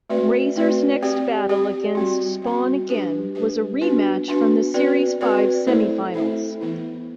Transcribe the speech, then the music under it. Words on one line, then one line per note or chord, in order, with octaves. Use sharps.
Razer's next battle against "Spawn Again" was a rematch from the series five semi-finals.
A3 C4 F#4 B4 D5
A3 C4 F#4 B4 D5
C4 G4 D5
C4 G4 D5
G3 C4 F#4
G3 C4 F#4
G3 D4 G4 B4
G3 D4 G4 B4
B3 D4 F#4 B4
B3 D4 F#4 B4
C4 F#4 B4 D5
C4 F#4 B4 D5
A3 C4 E4 A4 C5
A3 C4 E4 A4 C5
E3 B3 E4 B4